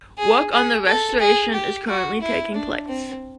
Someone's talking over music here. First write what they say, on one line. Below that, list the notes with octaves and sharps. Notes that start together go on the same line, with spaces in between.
Work on the restoration is currently taking place.
G#4
G#4
A4
G#4
G4
F#4
E4
D4
C4